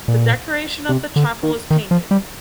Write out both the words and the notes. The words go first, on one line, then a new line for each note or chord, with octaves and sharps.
The decoration of the chapel is painted.
A#2
C3
D3
D#3
D#3
F3
G3